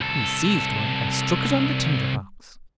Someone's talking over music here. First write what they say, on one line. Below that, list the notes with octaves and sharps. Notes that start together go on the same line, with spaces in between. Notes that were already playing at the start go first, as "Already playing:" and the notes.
He seized one and struck it on the tinder-box.
C2 A4